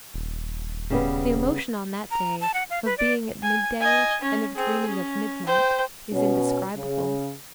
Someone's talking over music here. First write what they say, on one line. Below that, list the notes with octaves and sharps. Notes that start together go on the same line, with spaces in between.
The emotion on that day, of being at mid-day and of dreaming of midnight is indescribable.
D#1
C#3 G3 B3
A#5
A5
F#5
F5
B4
D5
G#5
D#5 G#5
C#4
C4 G#4
C#4
C5 G5
B2 C#4
C#3